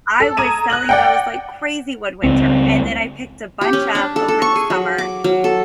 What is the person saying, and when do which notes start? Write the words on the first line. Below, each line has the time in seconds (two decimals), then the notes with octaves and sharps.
I was selling those like crazy one winter, and then I picked a bunch up over the summer,
0.20 A4
0.37 A#5 D#6 G#6 D#7 E7
0.70 F#6 A#6 F#7
0.89 D5 F#5 G5
2.24 C#2 C4
3.61 G4
3.73 C#4
3.95 D4
4.16 A4
4.28 A4
4.42 C#6
4.56 G#4
4.70 F#3
4.98 D6
5.24 F#3
5.44 A4